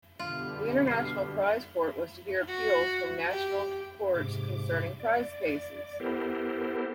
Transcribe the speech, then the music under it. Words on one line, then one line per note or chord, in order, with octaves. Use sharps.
The International Prize Court was to hear appeals from national courts concerning prize cases.
B2 D3 G3 F4
F6 C7
F#4
G4
G#2 C3 D6
D5
B3 E4 G4 A4 A#4 C5